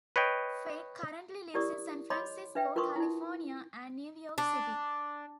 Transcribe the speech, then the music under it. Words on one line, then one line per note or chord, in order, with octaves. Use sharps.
Fake currently lives in San Francisco, California and New York City.
B4 C#5 D#5 G5
E4 G4 A#4 D5 C#6 D#6
C#5 D#5 B5 C6 D6
D4 B4 E5 G5
F4 A#4 B4 C6 C#6 D#6
D#4 E4
D4